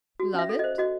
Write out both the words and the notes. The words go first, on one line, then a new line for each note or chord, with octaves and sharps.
"Love it?"
F#4
C#4 E5
A4
C5 D#5
F#4 D#5